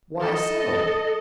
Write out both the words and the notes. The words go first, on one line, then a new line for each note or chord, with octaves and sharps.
"Why so?"
A4 D#5